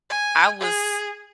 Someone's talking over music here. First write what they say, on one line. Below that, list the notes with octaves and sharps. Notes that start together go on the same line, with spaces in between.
I was,
G#5
G#4